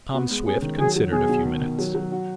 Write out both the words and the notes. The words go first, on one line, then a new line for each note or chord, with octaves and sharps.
Tom Swift considered a few minutes.
B3 F#4
G#3
C#4 G#4
D#3
F#3 G#4
F#3
B2 G#4
B2
D#3
D#3
F#3
F#3
F#4